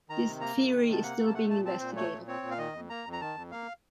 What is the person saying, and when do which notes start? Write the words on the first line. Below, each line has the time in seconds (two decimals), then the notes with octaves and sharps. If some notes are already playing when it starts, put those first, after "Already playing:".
This theory is still being investigated.
0.09 D#3 A#5
0.25 C3
0.41 A#3 A#5
0.56 C3
0.71 D#3
0.87 C3
0.93 A5
1.03 A#3 F#5
1.18 C3
1.27 A5
1.34 A3 F#5
1.50 A#2 A5
1.65 C4 A5
1.80 A#2 C5
1.96 A3 C#5
2.11 A#2
2.28 C4 C#5
2.43 A#2
2.51 F5
2.58 D#3 D#5
2.73 F2
2.90 A#3 A#5
3.06 F2
3.13 A#5
3.20 D#3 A5
3.36 F2
3.51 A#3 F5